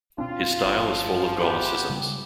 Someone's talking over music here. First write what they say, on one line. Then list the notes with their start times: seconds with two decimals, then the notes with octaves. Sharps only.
His style is full of Gallicisms.
0.18 B2 C4 D4 F4
0.64 G1 F3
1.38 F2 B3 G4
1.90 C#3 G3